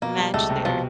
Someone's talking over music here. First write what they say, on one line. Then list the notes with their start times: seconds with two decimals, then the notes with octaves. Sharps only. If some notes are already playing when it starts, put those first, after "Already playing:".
match there.
0.02 B2 A#3
0.18 G3
0.34 C#2 A3
0.50 C3
0.65 B2 F3